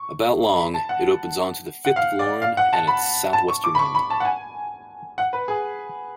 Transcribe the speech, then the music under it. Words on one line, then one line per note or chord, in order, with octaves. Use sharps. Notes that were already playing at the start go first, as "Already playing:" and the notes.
About long, it opens onto the Firth of Lorne at its southwestern end.
Already playing: C#6
B5
A5
F#5
F#5
F5
D5
F5
F#5
A5
B5
A5
C#6
D6
B5
C#6
B5
A5
F#5
G#5
F#5
B4
G#4